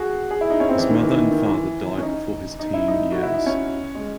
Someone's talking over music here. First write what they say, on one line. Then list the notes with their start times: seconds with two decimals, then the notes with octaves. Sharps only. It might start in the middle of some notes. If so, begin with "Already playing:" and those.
His mother and father died before his teen years.
Already playing: F#4 G#4
0.31 G#4
0.41 E4
0.50 D#4
0.60 C#4
0.69 C4
0.78 E3
0.89 D#3
1.03 E3
1.16 D#3
1.31 D#3
1.46 E3
1.98 C#4
2.03 D#4
2.59 D#4
2.74 E4
2.88 D#4
3.12 F#4
3.23 E4
3.34 D#4
3.46 C#4
3.95 G#3